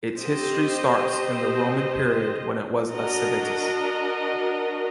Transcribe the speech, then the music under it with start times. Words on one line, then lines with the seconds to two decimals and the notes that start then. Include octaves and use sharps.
Its history starts in the Roman period when it was a civitas.
0.16 C4 G4 C5 D#5
2.91 D4 F#4 A#4 D#5